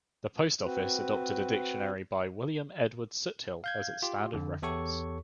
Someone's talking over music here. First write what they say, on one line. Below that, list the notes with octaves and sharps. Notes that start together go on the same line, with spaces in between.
The post office adopted a dictionary by William Edward Soothill as its standard reference.
C4 F#4 B4
F5 G6 G#6
F4 G4
F2 D3
E2 G4 A4 C#5 C#6